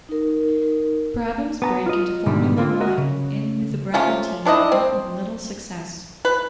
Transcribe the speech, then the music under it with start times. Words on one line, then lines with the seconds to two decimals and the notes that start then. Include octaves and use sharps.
Brabham's break into Formula One in with the Brabham team met with little success.
0.09 D#4 A#4
1.62 B3 A5 A#5
1.86 F4 D#5
2.26 G#2 B2 D3 D#3 G3
2.57 D3 A#3 C4 F4
2.80 F#4 A#4 D#5 E5
2.98 C#3
3.94 C3 A3 C#4 F4
4.45 D#3 D4 E4 D#5
4.72 C4
6.25 B4